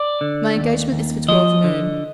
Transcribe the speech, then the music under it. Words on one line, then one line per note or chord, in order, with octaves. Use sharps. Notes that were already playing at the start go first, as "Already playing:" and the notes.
My engagement is for twelve noon.
Already playing: D5
D3
D#2
D#2
F3 D#5
D3